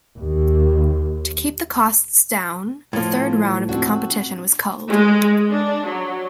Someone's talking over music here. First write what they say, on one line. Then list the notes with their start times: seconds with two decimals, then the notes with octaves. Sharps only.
To keep the costs down, the third round of the competition was culled.
0.18 D#2
2.93 A2 F3
3.69 C4 D4 F#4
4.88 G#3
5.51 D4
5.86 F#3